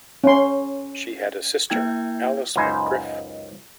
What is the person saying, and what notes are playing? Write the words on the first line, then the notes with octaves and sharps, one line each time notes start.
She had a sister, Alice McGriff.
C#4 C6
A#3 E4 G5 G#6
C#2 F#2 D#4 C5 G#5